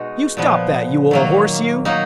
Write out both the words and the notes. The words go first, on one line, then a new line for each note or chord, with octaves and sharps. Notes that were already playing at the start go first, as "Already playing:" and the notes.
"You stop that, you ole horse, you!"
Already playing: B2 G#3 D#4 F#4
A#2 F3 B3
D#3 F#3 A#3
F#3 A#3 D#4